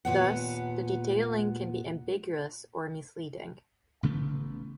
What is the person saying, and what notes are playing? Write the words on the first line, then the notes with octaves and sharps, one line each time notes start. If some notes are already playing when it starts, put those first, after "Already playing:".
Thus, the detailing can be ambiguous or misleading.
D#2 A#2 B3 F#5
A1 C#3 A3 B3